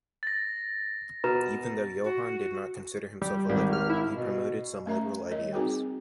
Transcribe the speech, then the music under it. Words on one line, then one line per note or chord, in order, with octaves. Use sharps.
Even though Johann did not consider himself a liberal, he promoted some liberal ideas.
A6 A#6
B2 B4 A#5
F#4
G3
G#1 G3
F6
E4
B2
A3 C#4 A#4 E5 A#5
G3 A#4 C#5 D#5
C4 D#4 F#4 G#4 A#4 G5